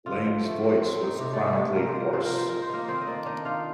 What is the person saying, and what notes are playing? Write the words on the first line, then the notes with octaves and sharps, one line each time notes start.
Lang's voice was chronically hoarse.
D3 F4
F3
A3
C4
C4
D#4
C3 G4
A3 D4 A4
A3 A4
C3
A#3 A#4
C5
F3
A#4
F3 C5
A#4
D#4 C5
F3 A#4
C5
A#3 D#4 A#4
D#3 C4 C5
D#5
A#3 D4 D5
D4 D#4 D#5
D#4 F4 F5